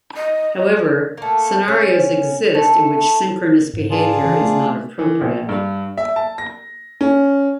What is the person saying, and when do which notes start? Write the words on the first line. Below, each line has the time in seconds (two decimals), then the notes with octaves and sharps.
However, scenarios exist in which synchronous behaviour is not appropriate.
0.16 D#5
1.17 A3 A#3
1.68 C#4
2.55 A3
3.74 G#2
3.90 D4 F4 G#4
4.25 E3
4.41 A3
4.99 E3
5.21 A#1
5.49 G2
5.97 E5
6.16 A5
6.38 A#6
7.01 C#4